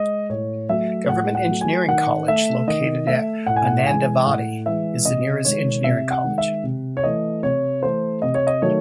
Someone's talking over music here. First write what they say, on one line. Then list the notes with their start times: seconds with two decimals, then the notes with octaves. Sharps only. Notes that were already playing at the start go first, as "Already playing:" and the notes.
Government Engineering College located at Mananthavady is the nearest engineering college.
Already playing: G#3 D#5
0.30 A2 C#5
0.69 F#3 A3 E5
1.09 A2 F#5
1.35 F#5
1.49 F#3 A3
1.61 G#5
1.89 D#3 F#5
2.28 A3 E5
2.67 D#3 D#5
3.07 A3 E5
3.47 A2 F#5
3.56 G#5
3.66 F#5
3.87 E3 G#3 G#5
4.26 A2 F#5
4.66 E3 G#3 E5
5.05 C3 D#5
5.45 D#3 G#3 C#5
5.84 C3 E5
6.11 F#5
6.24 D#3 G#3
6.38 E5
6.64 C3
6.97 C#5
7.03 E3 A3 D#5
7.43 C3 C#5
7.83 E3 A3 C5
8.22 C3 D#5
8.35 C#5
8.47 D#5
8.62 D#3 F#3 A3 C#5